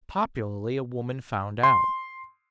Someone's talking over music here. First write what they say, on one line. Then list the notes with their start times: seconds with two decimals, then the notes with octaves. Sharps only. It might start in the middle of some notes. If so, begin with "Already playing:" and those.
Popularly, a woman found out.
1.63 C6